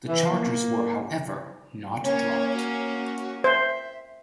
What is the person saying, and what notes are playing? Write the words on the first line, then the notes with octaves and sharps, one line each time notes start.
The charges were however, not dropped.
E3
A#3
A#3 C#4 C#5
F#4
C5 E5